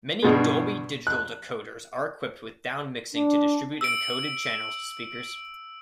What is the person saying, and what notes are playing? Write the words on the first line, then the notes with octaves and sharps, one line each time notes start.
Many Dolby Digital decoders are equipped with downmixing to distribute encoded channels to speakers.
G2 B2 G#3
F#6
D4
E6 D7